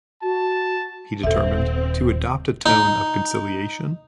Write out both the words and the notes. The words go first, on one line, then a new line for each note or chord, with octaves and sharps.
He determined, to adopt a tone of conciliation.
F#4 A5
D#1 C4 A4 E5
D#4